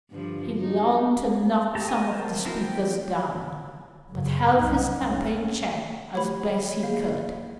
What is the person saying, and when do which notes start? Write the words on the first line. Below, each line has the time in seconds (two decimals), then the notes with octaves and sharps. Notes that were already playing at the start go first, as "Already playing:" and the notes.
He longed to knock some of the speakers down, but held his temper in check as best he could.
0.10 G2 D3 F3
0.61 D#4
1.75 G4 A4 A5 A#5
1.89 C#5 G#5
2.11 A#4 C5 A5
2.45 B3 C4 E4 F#4 A#4
2.61 G5
4.10 F#2 C#3
4.56 C2 D#4
5.05 C#4
6.15 A3 G4 C#5 B5
6.83 A#3 G#4 F5